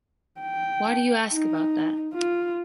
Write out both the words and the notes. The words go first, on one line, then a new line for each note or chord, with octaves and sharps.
Why do you ask about that?
G5
D#4
F4